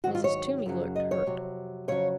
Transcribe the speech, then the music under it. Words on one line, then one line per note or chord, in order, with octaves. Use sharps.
Mrs. Toomey looked hurt.
G#2 D#3 F#3 F#4
F4
C#5
F#2 C#3 F#3
D#5
C#5
F2 C3 F#3
F2 C#3 F#3 C#5